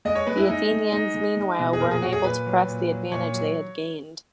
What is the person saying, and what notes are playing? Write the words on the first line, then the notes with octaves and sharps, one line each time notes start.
The Athenians, meanwhile, were unable to press the advantage they had gained.
G#3 D#5
C#5
G#3 B4
E4
G#3 D#4
G#3
G#3 D#4
G#3
G#3
B2
G#4
A#2 A#4
G#4
F#3 F#4
G#4
A#2 B4
F#3
A#2
F#3
A#2 C#5
F#3